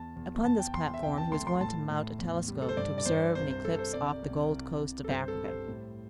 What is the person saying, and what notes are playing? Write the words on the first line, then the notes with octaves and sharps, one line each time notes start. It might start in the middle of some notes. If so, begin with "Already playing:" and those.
Upon this platform he was going to mount a telescope to observe an eclipse off the Gold Coast of Africa.
Already playing: E2 A5
E2
E2 A5
G5
E2 C6
E5
C2 G5
A5
A3 C6
C6
A2 A5
A2
E2
G3
A4
C5
G2 D5
D5
G2 C5
C2 C5
C5
C2 A4
C5
C2 D5
C2
C2
C2
A4
G2 C5
A4
G3
C5
A2